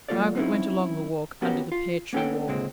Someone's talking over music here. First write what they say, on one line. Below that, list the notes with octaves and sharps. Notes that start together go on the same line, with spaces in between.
Margaret went along the walk under the pear-tree wall.
F#3 A#3 F4 A4 C#5 D5
F#3 C4 C#4 D#4 E4
B3 C#4 F#4 G4 A#4 B4
F4
A#3 B3 C#4 F4 A4 G5
C#2 A#2 D3 G#3 C4